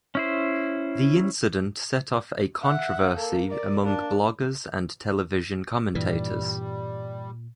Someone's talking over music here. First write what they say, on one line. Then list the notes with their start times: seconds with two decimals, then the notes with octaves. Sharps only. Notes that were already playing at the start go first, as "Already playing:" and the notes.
The incident set off a controversy among bloggers and television commentators.
0.15 C#4 E4 C5
2.62 E5 F#5
3.16 A#3 A4
3.48 A#4 D5
3.82 A#3 D4
5.95 G2 A#2 E3 G3